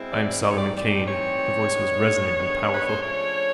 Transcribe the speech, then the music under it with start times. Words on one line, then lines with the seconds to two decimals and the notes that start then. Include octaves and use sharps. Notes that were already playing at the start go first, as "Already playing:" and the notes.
"I am Solomon Kane." The voice was resonant and powerful.
Already playing: B2 G#3 C4 E4
0.09 D5
0.41 A2 E3 G3 C4 D#4 D5
0.50 C#5
0.58 D5
0.74 D5
1.06 A2 E3 G3 C4 D#4 C#5
1.71 G2 D#3 G#3 B3 D4
2.36 G2 D#3 G#3 B3 D4
2.73 B4
2.87 C5
3.01 C#3 F3 A3 D4 C#5